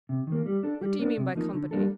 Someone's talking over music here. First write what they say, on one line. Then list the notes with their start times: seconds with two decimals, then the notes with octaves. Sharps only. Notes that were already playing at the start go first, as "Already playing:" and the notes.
"What do you mean by company?"
0.09 C3
0.27 D#3 A#3
0.46 G3
0.63 D4 A4
0.81 G3
0.99 A#3 D4
1.17 C3
1.35 F3 A#3 D#4
1.54 D3
1.71 G3 A#3 D4 A4